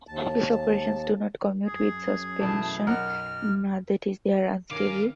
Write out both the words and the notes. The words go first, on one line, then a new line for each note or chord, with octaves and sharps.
These operations do not commute with suspension, that is they are unstable.
D#2 A5
F#2 G#4
B2 E3 A3 A5
B1 A#4 F#5 F6
G2 D#3 C#4 A#4 F5 D6 G#6